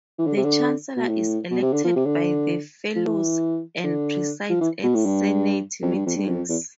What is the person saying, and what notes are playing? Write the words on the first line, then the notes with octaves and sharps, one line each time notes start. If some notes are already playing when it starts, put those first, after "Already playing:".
The chancellor is elected by the fellows and presides at Senate meetings.
E3
D3
C3
D3
B2
A2
B2
C3
D3
F3
C3
D3
F3
E3
D3
F3
E3
B2
A2
G2
F2
G2
F2
G2
F2
E2